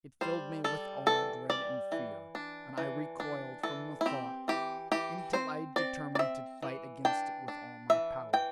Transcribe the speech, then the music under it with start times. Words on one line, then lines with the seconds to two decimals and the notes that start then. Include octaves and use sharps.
It filled me with awe, dread, and fear, and I recoiled from the thought, until I determined to fight against it with all my power.
0.21 G3 C5
0.64 G3 A4
1.06 E3 A4
1.49 G3 D5
1.92 E3
2.35 D4
2.78 E3
3.20 D4
3.63 E3 A4
4.01 E4
4.06 C4 G4
4.48 E3 G4
4.92 E3 G4
5.33 C4 C5
5.76 C4 D5
6.15 D5
6.19 C4 E5
6.62 E3
7.05 D4 G5
7.48 D4
7.90 E3 E5
8.33 E3 G5